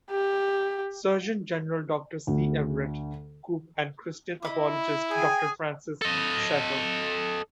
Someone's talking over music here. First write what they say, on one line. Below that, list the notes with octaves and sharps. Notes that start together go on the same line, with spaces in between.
Surgeon General Doctor C. Everett Koop and Christian apologist Doctor Francis Schaeffer.
G4
D2
E4 D#5 B5 D6
G#4 G5 G#5
A4 D#5